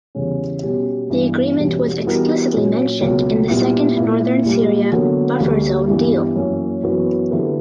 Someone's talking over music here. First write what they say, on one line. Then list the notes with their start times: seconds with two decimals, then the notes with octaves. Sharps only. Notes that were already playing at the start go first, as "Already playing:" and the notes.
The agreement was explicitly mentioned in the Second Northern Syria Buffer Zone deal.
0.15 E2 C#3 G3 C#4
0.63 B2 G3 C#4 G4
1.10 G2 E3 B3
1.58 E2 B2 G3 C#4
2.06 E3 G3 B3 F#4 A#4
2.53 A#2 F#3 C#4
3.01 C#2 B2 F#3 A#3
3.49 A#2 G3 B3 E4
3.97 A#2 A#3 E4
4.45 A#2 G3 A#3
4.92 D3 F#3 B3 F#4 A#4
5.40 D2 D3 G3 A#3
5.88 G2 E3 G3 B3
6.35 F#2 E3 A#3 C#4
6.83 F#2 E3 B3 F#4 B4
7.31 D3 A#3 E4 G4 B4